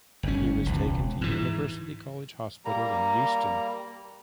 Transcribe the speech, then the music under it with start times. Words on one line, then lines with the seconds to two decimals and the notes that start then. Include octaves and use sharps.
He was taken to University College Hospital in Euston.
0.23 G1 C#4
0.66 E1 C#2
1.21 G#2 E3
2.65 G3 A#3 A#5